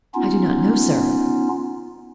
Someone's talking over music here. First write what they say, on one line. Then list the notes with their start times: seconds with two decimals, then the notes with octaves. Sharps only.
"I do not know, sir."
0.14 B3 C#4 D#4 F4